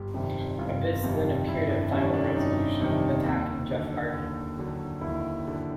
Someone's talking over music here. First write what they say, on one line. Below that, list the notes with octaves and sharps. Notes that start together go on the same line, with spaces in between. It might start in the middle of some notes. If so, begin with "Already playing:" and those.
Abyss then appeared at Final Resolution, attacking Jeff Hardy.
Already playing: G1 G4
F2 C3 D#3 G3
G1 F4
F2 C3 D#3 G3
G1 E4
D4
F2 C3 D#3 G3 C#4
D4
G1 D#4
F2 C3 D#3 G3
D#2
D3 F#3
D#2
D3 F#3
D#2 E4
D3 F#3